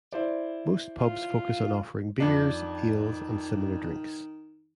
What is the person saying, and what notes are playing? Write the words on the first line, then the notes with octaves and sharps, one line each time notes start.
Most pubs focus on offering beers, ales and similar drinks.
E4 C5 D5
F4
F2 D#3 D4